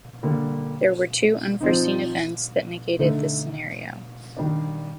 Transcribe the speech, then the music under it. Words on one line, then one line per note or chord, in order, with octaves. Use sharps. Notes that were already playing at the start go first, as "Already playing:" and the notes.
There were two unforeseen events that negated this scenario.
D3 G3 A#3
F3 C4 D#4
D3 A3 D#4
D#3 G3 D4